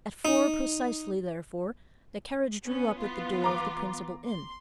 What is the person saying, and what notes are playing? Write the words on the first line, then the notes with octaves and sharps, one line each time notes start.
At four precisely, therefore, the carriage drew up at the door of the principal inn.
D#4
B3 C#4
E3 B3 F4
A#5 D6
C6